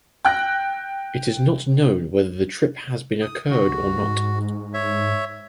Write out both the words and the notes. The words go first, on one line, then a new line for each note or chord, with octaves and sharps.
It is not known whether the trip has been occurred or not.
G5 F#6 A#6
D#6
D3 F#4
C#2
G#2
C#5 E5